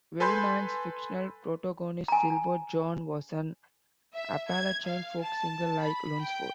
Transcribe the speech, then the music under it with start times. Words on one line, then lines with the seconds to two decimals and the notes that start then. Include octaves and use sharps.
Wellman's fictional protagonist, Silver John, was an Appalachian folk singer, like Lunsford.
0.20 A4 B4 G#5 B5 C6 G6
2.08 G#5 A#5
4.13 E5
4.48 G#6
4.85 F5
5.20 A5
5.82 B5
6.21 G5